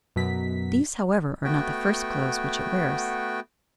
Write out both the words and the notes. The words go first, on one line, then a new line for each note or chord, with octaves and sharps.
These, however, are not the first clothes which it wears.
F#2 B2 F#3 B6
A3 B3 F#4 G5